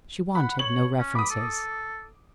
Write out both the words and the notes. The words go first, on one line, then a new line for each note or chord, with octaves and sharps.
She wanted no references.
F#5 B5
C#5 F#7
C#4
B5 D6 D#6
A4